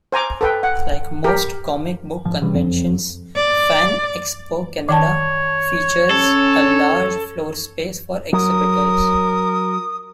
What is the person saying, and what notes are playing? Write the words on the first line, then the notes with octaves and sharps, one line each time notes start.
Like most comic book conventions, Fan Expo Canada features a large floorspace for exhibitors.
C5 G#5 A#5 D6
A4 B4 G5
F#5
G4 A#4
G#1 F3
C3 E3 G3
F#1 F2
D5
D#3 C#5 G5 A5
C#4 A4
F#3 A#4 D#6